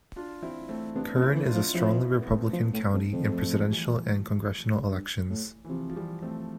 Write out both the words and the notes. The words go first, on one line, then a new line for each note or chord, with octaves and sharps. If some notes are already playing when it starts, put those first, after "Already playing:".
Kern is a strongly Republican county in Presidential and congressional elections.
D4 F4
C4 E4
A3 C4
C3 B3 D4
C3
C4 E4
E3
D4 F4
F3
F3 C4 E4
B3
A3 C4
F3
A2
F2
F2
F3 A3
E3
F3
E3 G3
G2
A2
E3
C3 F3
F3
E3 G3
A3 C4